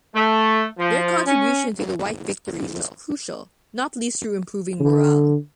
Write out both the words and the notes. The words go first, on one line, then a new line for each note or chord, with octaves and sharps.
Their contribution to the White victory was crucial, not least through improving morale.
A3
F3
C#4
D3